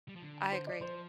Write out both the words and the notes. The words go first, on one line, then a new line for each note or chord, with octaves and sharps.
I agree.
G3
F3
D3
C5
D5
F3 C5